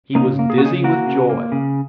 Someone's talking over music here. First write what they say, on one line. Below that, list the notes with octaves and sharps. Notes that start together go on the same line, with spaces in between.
He was dizzy with joy.
C#3 A#3 D#4
A#3
G#4
F#4
C#3 D#4 G#4
A#3 F#4 A#4
C#3
A#3
C#3